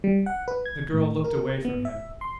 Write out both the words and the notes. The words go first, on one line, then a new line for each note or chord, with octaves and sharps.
The girl looked away from him.
G3
F#5
B4
G#6
A2
A#4
B3
E5
C6